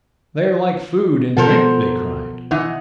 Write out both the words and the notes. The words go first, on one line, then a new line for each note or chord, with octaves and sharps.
"They are like food and drink," they cried.
B2 F3 A4 A#4 C5 F#5
E3 D#4 E5 F#5